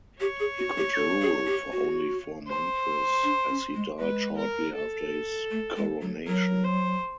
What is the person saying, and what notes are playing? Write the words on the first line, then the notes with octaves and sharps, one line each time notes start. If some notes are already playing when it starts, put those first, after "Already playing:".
He could rule for only four months, as he died shortly after his coronation.
G4 C#5
G#4
F#4
G4
A4
G#4
G4
F#4
C5
D4
C#4
G#3
G#3 B4
A#4
A4
A3
G#3
F#3
F#3 A#4
C5